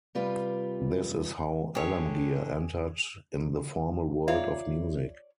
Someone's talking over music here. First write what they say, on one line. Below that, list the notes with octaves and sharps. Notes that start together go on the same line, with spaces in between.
This is how Alamgir entered in the formal world of music.
C3 G3 F4 B4
D3 G4 G#4 C#5
F4 C#5 D5 E5 F5